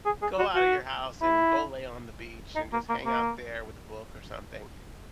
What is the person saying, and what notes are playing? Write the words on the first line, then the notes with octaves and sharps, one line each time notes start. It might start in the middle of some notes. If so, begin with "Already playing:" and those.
go out of your house, and go lay on the beach, and just hang out there with a book or something
G#4
G#4
F#4
F#4
E4
D#4
A#3
A#3
A#3